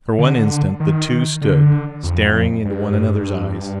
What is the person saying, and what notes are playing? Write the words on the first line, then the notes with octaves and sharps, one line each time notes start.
For one instant the two stood, staring into one another's eyes.
D3
D#3
D3
F2
G2